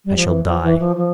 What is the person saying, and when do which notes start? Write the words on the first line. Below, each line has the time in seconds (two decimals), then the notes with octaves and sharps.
I shall die.
0.05 G3
0.16 F3
0.28 E3
0.45 F3
0.63 E3
0.80 F3
0.97 F3